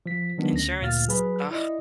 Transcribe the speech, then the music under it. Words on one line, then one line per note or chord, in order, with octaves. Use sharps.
insurance, ugh.
F3 B6
D#3 F#3 G#3 B3 D4
D2 C#4 A#6
D2 A#2 F5 F6 A6
F#3 G#4 B4 B5
E4 D5 D#5